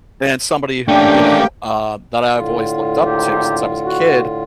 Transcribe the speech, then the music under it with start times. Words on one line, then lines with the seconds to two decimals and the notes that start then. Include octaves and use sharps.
and somebody, wh you know, uh, that I've always looked up to since I was a kid,
0.88 A3 A#3 C#4 D4 G4 G5
2.35 A2 D3 F4
3.05 G#1 C3 G4
3.85 F#4